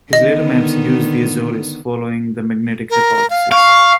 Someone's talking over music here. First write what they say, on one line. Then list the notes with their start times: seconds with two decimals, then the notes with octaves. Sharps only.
His later maps used the Azores, following the magnetic hypothesis.
0.13 D3 D#3 B3 D#5
2.90 A#4
3.30 F5
3.52 F5 C#6